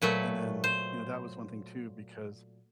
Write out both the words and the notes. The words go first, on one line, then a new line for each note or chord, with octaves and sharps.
and then, you know, that was one thing too, because,
A#2 F#3 A3 B4
C5